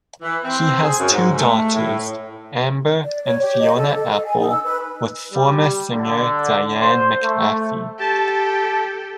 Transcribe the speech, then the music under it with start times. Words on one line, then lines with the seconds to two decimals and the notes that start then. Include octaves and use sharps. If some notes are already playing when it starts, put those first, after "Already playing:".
He has two daughters, Amber and Fiona Apple, with former singer Diane McAfee.
0.21 E3
0.44 C4
0.81 G#4
0.98 F#2
1.11 G#2
1.37 A3
1.74 A2
3.03 D5
3.24 C#5
3.41 G4
3.61 D#5
3.75 A4
3.96 A4
4.11 D#5
4.25 G#5
4.38 D#4
4.51 E6
4.65 B4
5.32 G3
5.92 D3
6.81 C5
7.23 A3
7.99 G4 A4 A5